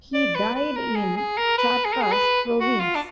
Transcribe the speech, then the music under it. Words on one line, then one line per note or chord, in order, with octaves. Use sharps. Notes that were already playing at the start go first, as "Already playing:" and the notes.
He died in Charcas Province.
D5
B4
B4
A#4
G#4
G#4
A#4
B4
G#4
A#4
G#4
B4
F#4
F4
D4